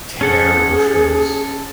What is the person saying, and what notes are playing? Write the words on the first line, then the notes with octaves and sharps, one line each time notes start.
Terrible shows.
C#4 G#4 A4 F#5